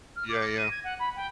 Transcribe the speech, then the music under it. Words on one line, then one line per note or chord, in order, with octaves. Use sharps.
Yeah, yeah.
F6
D6
A#6
D#7
G#6
F#5
B5
G5